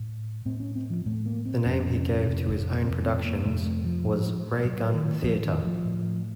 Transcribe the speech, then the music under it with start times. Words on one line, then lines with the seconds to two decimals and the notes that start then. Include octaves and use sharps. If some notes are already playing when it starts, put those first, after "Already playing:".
The name he gave to his own productions was "Ray Gun Theater".
Already playing: A2
0.45 A2 C4
0.60 C#4
0.76 C4
0.90 F3
1.06 A2 A3
1.26 A#3
1.46 C4
1.65 F2 C3 C#4
2.25 F2 C3
2.85 F2 C3 C4
3.05 C4
3.25 A#3
3.45 F2 C3 A3
3.65 A3
3.85 F3
4.05 A2
4.65 A2 F#3
4.94 D#3
5.24 A2 F3
5.45 D#3
5.64 F3
5.85 A2